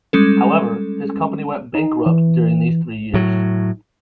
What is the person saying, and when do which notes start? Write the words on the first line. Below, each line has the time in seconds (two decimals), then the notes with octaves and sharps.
However, his company went bankrupt during these three years.
0.13 G3 G#3 C#4 A4
1.75 D#4
2.06 E3
3.14 A2 F#3